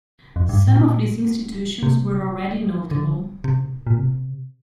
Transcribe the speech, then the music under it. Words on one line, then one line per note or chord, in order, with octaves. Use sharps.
Some of these institutions were already notable.
F2
G2
A2
A#2
C3
D3
C3
A#2
C3